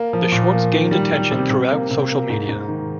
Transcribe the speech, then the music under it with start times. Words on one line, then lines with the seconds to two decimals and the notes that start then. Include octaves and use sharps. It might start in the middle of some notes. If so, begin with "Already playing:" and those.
The shorts gained attention throughout social media.
Already playing: A#3
0.13 F3
0.32 A#2
0.53 A#3
0.72 D#3
0.91 G3
1.12 G3
1.31 C3
1.50 C3
1.71 A#3
1.90 C3
2.10 A#3
2.30 G#2
2.49 G#2
2.68 D#3